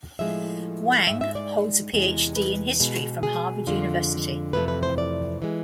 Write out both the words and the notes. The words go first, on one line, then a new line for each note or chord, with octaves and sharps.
Wang holds a Ph.D. in history from Harvard University.
A2 F3 G#3 E5
G#2 E3 G#3 E5
E5
D5
E2 C3 G#3
B4
B2 G#3
G#4
F2 D3 G#3 F4
F2 C3 E3 A3 B4
B4
C5
D5
E3 G#3